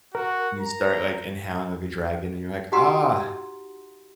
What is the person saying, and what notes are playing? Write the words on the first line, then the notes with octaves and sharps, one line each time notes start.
you start, like, inhaling like a dragon, and you're like, "Ah,"
F#4 A#4
A#5
D#4 F#4 G4 F#5 A#5 C6